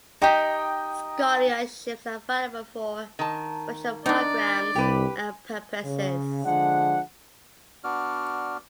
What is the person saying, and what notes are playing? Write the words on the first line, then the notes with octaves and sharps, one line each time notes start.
Scholarships are available for special programs and purposes.
D#4 G4 D#5 G5
D#3 A5
D4 D#4 D5
C2 G4 B4
C#3
D3 F3 G#3 D4 F#5
B3 D4 F#4 D5 F6